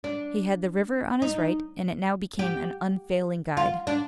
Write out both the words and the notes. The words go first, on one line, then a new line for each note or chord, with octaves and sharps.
He had the river on his right, and it now became an unfailing guide.
D4
D#4
G4
F4
D4